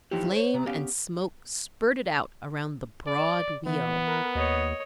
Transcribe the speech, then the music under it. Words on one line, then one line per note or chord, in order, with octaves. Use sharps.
Flame and smoke spurted out around the broad wheel.
E3 F3 D#4 E4 G4
C5 C#5
C3 A#5
B3 C#4 G4 F5
D5
E3 B3
A#4 B4
D#2 C#5 D#5